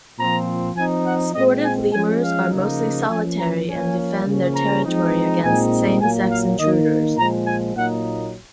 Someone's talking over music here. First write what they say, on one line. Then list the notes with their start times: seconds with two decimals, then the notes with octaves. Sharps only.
Sportive lemurs are mostly solitary and defend their territory against same sex intruders.
0.18 A#2 F3 C4 A#5
0.76 F3 C4 D#4 G#5
1.05 F#5
1.34 A#2 G#3 C4 D#5
1.64 G#5
1.93 F3 G#3 C#4 G#5
2.22 F5
2.51 C#3 F3 A#3 D#4
3.09 F3 A#3 C#4 G#5
3.39 A#5
3.67 F3 A#3 C#4 G#5
4.27 C#3 F3 A#3 C#4
4.55 A#5
4.85 F3 G#3 C4 D#4
5.43 A#2 G#3 C4 D#4 G#5
6.01 A#2 F#3 A#3 G#5
6.30 F5
6.59 D#3 A#3 D#4 D#5
7.18 A#2 F3 G#3 A#5
7.47 G#5
7.76 A#2 F#3 A#3 D#4 F#5